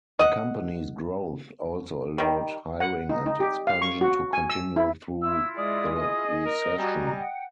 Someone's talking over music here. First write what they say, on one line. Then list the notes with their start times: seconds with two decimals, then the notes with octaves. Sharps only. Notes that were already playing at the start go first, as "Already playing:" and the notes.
The company's growth also allowed hiring and expansion to continue through the recession.
0.19 D#5 F#5
2.18 D#3 G3
2.80 F#5
3.09 D#4
3.26 D#4
3.40 G4
3.67 F5
3.82 C#6
4.01 F#4
4.33 G#5
4.50 E6
4.76 E4
5.22 E4 F4 E6
5.57 G#3 D5 D#6
6.01 G#4 D#5
6.46 A#4
6.78 G3 F#4 G#5 A#5
7.17 F#5 G5